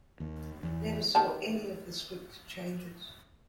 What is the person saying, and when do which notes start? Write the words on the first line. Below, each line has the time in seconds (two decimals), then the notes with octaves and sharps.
Never saw any of the script changes.
0.20 D#2
0.63 E2
1.15 D#3 B3 A5